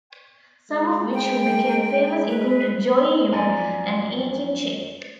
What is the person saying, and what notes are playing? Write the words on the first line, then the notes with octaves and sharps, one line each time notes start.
Some of which who became famous included Joey Yung and Ekin Cheng.
G#3
G5
B4
F#2 F3 D5 G#5 A#5